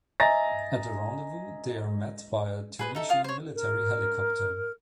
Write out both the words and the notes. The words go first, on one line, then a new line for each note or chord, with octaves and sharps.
At the rendezvous they are met by a Tunisian military helicopter.
D#5 E5 G#5 A#5 A6 A#6
G#4 B4 C5
D#4 A4 E5
F4 F5 D#6
C5 C#5
A#4